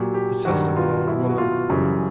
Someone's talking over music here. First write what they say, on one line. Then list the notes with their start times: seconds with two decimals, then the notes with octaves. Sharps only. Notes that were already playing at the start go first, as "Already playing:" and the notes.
Detestable old woman!
Already playing: A#2 F#3 G4
0.14 G4
0.45 G2 D#3 F#3 F#4
0.76 F4
1.07 B2 F#3 E4
1.29 F#4
1.38 F4
1.70 F#2 C#3 E3 G3